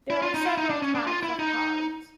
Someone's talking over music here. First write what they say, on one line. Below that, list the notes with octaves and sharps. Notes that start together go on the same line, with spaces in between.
There are several types of cards.
E4
F4
D#4
E4
D#4
D4
C#4
D4
F4
E4
D#4